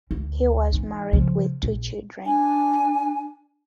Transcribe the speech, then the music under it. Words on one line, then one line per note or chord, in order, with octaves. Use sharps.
He was married with two children.
D2
G#2 E3
C#3 F3
A#1
D4 G#5